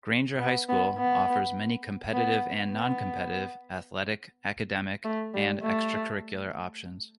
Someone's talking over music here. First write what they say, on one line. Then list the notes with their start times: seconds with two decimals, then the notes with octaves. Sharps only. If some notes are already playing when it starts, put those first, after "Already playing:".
Granger High School offers many competitive and non-competitive athletic, academic, and extra-curricular options.
0.40 B3
0.69 B3
0.98 B3
2.14 B3
2.72 B3
5.05 A3
5.34 G3
5.63 A3